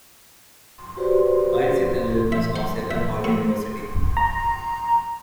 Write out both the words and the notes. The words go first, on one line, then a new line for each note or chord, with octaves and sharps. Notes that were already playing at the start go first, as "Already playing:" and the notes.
Miles is an alumnus of Seton Hall University.
F#4 G4 B4 C5 D5
E5
C5
E5
A2
A#5